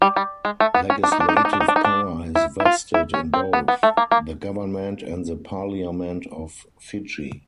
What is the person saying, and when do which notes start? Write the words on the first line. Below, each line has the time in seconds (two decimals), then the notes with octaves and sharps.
Legislative power is vested in both the government and the Parliament of Fiji.
0.02 G3
0.16 G3
0.45 G#3
0.60 A3
0.74 B3
0.90 C#4
1.03 D4
1.12 D#4
1.20 D4
1.29 D#4
1.37 D4
1.45 D#4
1.53 D4
1.60 D#4
1.68 D4
1.76 D#4
1.84 D4
2.35 E4
2.60 E4
2.65 F4
2.94 E4
3.14 C#4
3.33 C4
3.53 B3
3.68 B3
3.83 A3
3.97 A#3
4.11 A#3